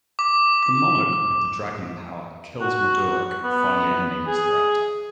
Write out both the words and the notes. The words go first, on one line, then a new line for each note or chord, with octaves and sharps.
The monarch with the Dragon Power kills Madruk, finally ending his threat.
D6
D6
F#4
B3
G#4